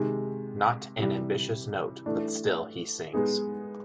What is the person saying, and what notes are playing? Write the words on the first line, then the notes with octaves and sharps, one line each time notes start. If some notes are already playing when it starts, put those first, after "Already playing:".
Not an ambitious note, but still he sings.
Already playing: C3 D#3 G#3
C3 E3 G3
E3 A3 D4
G#3 B3 D#4 G#4